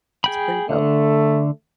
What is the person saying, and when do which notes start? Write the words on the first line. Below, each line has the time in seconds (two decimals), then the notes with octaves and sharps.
It's pretty dope.
0.24 G#4 G5 B5
0.69 D3 A3